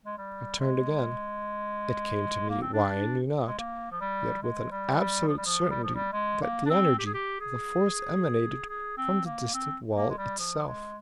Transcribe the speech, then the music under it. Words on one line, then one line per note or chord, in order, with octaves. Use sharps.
I turned again--it came to me, why I knew not, yet with an absolute certainty, that the energy, the force emanated from the distant wall itself.
G#3
G3
G#3
A#3
C4
D4
G#3
A#3
F3
G3
G#3
G3
G3
F3
G3
F3
G3
F3
G3
G#3
A#3
D4
C4
G4
G#4
G4
G#4
G#4
C4
A#3
C4
A#3
G#3
G3
F3
G#3